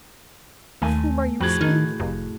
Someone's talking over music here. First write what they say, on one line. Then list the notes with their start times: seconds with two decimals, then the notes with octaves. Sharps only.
Of whom are you speaking?
0.82 D#2 A3 G#5
1.41 F2 A2 F#4 G#4
1.61 D#3
2.00 F1